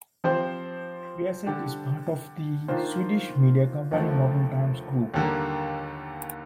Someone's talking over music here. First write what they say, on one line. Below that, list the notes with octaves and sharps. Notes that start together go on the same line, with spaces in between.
Viasat is part of the Swedish media company Modern Times Group.
F3 C4 G4 C5
D3 G3 D4 G4
D#3 A#3 D4 F4 C5
D#2 D3 F3 A3
D#2 D3 G3 A#3